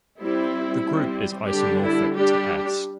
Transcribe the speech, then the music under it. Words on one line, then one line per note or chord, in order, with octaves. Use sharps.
This group is isomorphic to "S".
G3 C4 E4
G3 C4
D3 G3 D4 G4
E4
G3 D4 G4